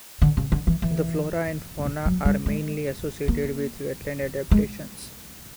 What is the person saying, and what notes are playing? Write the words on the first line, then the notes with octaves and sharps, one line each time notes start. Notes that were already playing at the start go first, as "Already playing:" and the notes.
The flora and fauna are mainly associated with wetland adaptations.
D3
C#3
D3
E3
E3
F#3
G3
G#3
A#3
G#3